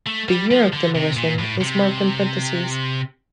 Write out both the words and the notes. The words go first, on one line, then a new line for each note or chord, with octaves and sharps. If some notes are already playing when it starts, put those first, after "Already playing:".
The year of demolition is marked in parentheses.
A3
G3
F3
D3
C3
A#2
A2
C3